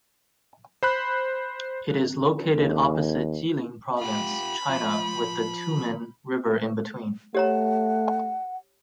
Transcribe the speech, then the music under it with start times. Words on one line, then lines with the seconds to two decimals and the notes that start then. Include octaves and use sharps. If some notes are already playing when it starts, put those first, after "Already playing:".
It is located opposite Jilin Province, China, with the Tumen River in between.
0.83 C5 B5 F#6
2.56 D#2
4.01 F4 G4 B5
4.69 F3
7.35 A3 G4 C#5 F#5 A#5